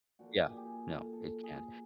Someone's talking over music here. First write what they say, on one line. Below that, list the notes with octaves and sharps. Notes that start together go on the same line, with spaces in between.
Yeah. No. It can't.
A#2 F3 A#3 F#4
G4
G#4
G4
G#4
A4
A4
G#4